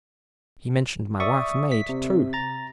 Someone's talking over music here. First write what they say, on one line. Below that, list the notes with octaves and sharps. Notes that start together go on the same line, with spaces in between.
"He mentioned my wife's maid, too!"
D5 E5 C#6 D#6
B6
C3
A#5 A6